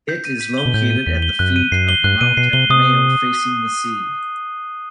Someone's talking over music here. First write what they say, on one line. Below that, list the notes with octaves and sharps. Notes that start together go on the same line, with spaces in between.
It is located at the feet of the Mount Epomeo, facing the sea.
G6
D#7
B6
G7
B2
A2 G6
D#7
E2 B6
G7
F#2 F#6
D#7
F#2 C7
G7
G2 F#6
B2 D#7
B2 C7
C3 G7
C3 D#6